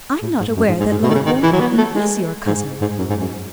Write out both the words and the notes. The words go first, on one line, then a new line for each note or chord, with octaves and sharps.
"I'm not aware that Lord Warburton is your cousin."
A2
G#2
F#2
G#2
G#2
G#2
B2
D#3
C#3
D#3
E3
F#3
B3
A3
G#3
G#2
G#2
F#2
G#2
F#2